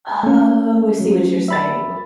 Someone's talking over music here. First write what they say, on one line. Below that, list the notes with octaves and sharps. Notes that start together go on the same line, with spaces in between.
Oh, I see what you're saying.
A3 C#4
F#3
E5 B5 A6